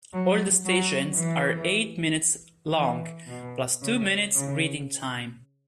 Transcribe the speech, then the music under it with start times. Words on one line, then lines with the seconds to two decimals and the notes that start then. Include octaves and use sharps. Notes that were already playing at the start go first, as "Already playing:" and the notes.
All the stations are eight minutes long, plus two minutes reading time.
0.12 F#3
0.65 F#3
1.18 E3
2.76 E3
3.29 B2
3.82 C#3
4.35 C#3